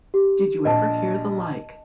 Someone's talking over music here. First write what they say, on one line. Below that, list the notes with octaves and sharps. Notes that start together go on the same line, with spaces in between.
Did you ever hear the like?
G4
A#1 D#5 A5